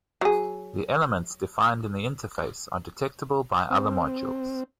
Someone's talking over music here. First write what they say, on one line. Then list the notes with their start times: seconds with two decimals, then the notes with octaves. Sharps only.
The elements defined in the interface are detectable by other modules.
0.21 F#3 G#4
3.70 C4